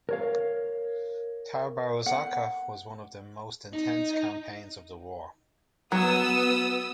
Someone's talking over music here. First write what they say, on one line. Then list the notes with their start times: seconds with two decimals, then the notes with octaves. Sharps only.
Tabaruzaka was one of the most intense campaigns of the war.
0.09 A#4 C#5 F5
2.06 F#5
3.73 D#4
5.92 F#3 B3 D#6 E6